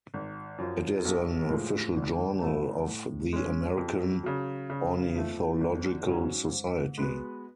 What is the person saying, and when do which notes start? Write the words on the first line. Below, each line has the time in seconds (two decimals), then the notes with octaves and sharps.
It is an official journal of the American Ornithological Society.
0.14 G#1
0.58 F#2 F3
1.05 B1
1.50 A2 F3 G#3
1.96 G#1
2.41 G#2 F3 A3
2.87 A2
3.33 G#3 C#4
3.78 F2
4.23 C#3 F#3
4.70 C#3
5.15 F3 A3
5.61 G#1
6.06 G#2 F#3 C#4
6.51 G#2
6.98 G#3 B3 F#4 B4